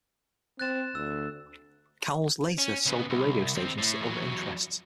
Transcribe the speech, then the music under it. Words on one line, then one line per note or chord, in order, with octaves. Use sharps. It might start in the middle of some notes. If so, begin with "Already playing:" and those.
Cowles later sold the radio stations to other interests.
C4 F#6 A6 E7
D2 E6
C#4
C#3 B3
C2
D#2 C4
A2
E2 F#3